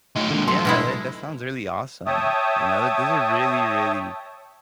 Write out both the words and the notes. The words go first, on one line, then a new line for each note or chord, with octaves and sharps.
Yeah, that that sounds really awesome, you know, th those are really, really
A3 D#4 F4 C#5 D#5
D3 D#3 G#3 A#3 F4
D2 F#3 A4 C6
B2 G#3 E4
C#5 E5 G5 A5 D#6